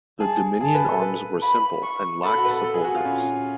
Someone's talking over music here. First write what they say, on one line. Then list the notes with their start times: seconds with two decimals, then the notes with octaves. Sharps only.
The Dominion Arms were simple and lacked supporters.
0.20 G#4 A5
0.61 G#4 A5
0.75 B4
0.88 A4
1.02 B4
1.42 B5
1.83 C#6
2.24 A4 B5
2.37 F#4
2.45 B4
2.51 A4
2.64 A4
2.74 G#4
2.84 F#4
2.95 F4
3.05 C#4